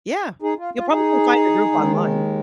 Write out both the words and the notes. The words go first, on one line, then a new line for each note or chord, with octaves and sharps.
Yeah. You'll probably find a group online.
D#4 G#4
F4
F4
D#4 G#4
D#2 D#3 G#3